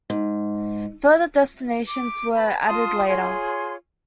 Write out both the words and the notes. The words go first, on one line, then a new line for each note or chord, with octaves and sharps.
Further destinations were added later.
G#2
D6
B4 B5
F4 A5 C6 D#6
F4 G#4 C#5 C6